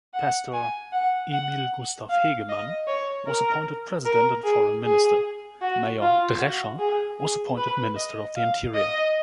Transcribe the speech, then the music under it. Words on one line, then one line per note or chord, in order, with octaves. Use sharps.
Pastor Emil Gustav Hegemann was appointed President and Foreign Minister, Mayor Drescher was appointed Minister of the Interior.
F#5
G#5
F#5
F#5
F5
D#5
C#5
A#4
A#4
G#4
G#4
F#4
F4
F#4
G#4
G#4
B4
D#5
F5
D#5